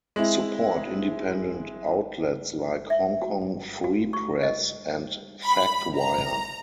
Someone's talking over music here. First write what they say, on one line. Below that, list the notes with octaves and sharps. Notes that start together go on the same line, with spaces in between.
Support independent outlets like "Hong Kong Free Press" and FactWire.
G#3 C4 E4
E5
F#4
F#4
C#6
D#5
B5
A#5